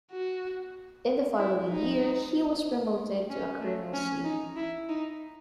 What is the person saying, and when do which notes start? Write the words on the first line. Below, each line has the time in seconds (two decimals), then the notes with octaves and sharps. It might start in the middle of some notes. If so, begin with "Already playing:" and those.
In the following year, he was promoted to a colonelcy.
0.12 F#4
1.39 E4
1.70 D#4
3.30 C#4
3.61 A3
3.94 C#4
4.25 D#4
4.57 E4
4.89 D#4